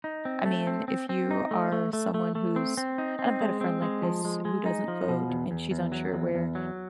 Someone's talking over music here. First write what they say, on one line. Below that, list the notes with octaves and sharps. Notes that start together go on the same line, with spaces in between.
I mean, if you are someone who's and I've got a friend like this who doesn't vote, and she's unsure where
D#4
C4
A3
C4
C4
C4
D#4
A3
A3
A3
A3
A3
C4
C4
D#4
C4
G#3
C4
G#3
F3
G#3
G#3
D#4
F3
B2
E2
E2
E2
F#3
E2
E2
F#3